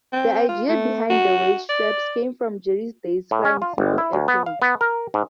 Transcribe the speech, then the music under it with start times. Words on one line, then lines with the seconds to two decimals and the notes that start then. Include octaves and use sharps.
The idea behind the weight straps came from Jerry's days flying small airplanes.
0.13 C4
0.49 F4
0.68 A3
1.10 F#4
1.69 D5
3.31 A2
3.45 C#4
3.62 F4
3.78 G1
3.98 E4
4.13 D2
4.28 B3
4.46 F5
4.62 B3
4.81 A#4
5.14 G#2